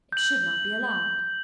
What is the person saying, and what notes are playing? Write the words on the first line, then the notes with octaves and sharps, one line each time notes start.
It should not be allowed.
G6 F#7